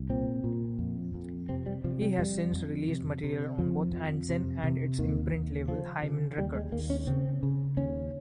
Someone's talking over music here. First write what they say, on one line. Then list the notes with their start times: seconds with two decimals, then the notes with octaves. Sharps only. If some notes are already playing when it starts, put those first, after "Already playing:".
He has since released material on both Ant-Zen and its imprint label Hymen Records.
Already playing: C2
0.10 A#2 C4
0.44 A#2
0.79 F2
1.14 F2
1.49 C3 C4
1.66 G3
1.84 C3 F3
2.02 G3
2.18 F2 G3
2.54 F2
2.89 C3
3.24 C3
3.58 F2 F3
3.93 F2
4.29 C3
4.63 C3
4.99 D#2 D#3
5.33 D#2
5.68 C#3 F3
6.03 C#3
6.37 D#2 G3
6.55 G#3
6.72 D#2 A#3
6.90 C#4
7.07 C#3 C4
7.43 C#3
7.77 D#2 C#4